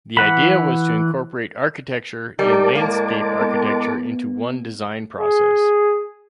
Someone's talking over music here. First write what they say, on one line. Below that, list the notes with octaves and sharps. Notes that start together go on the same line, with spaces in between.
The idea was to incorporate architecture and landscape architecture into one design process.
E3 F#5 B5
G3 D#4 A#4 A5 D6
A2 G#3 A#3
B3
G#4